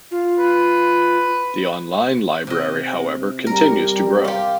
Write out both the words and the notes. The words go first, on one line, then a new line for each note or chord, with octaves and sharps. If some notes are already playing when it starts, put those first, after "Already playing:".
The online library, however, continues to grow.
F4
B4
C3 D#5
G3 A#4
F4 G4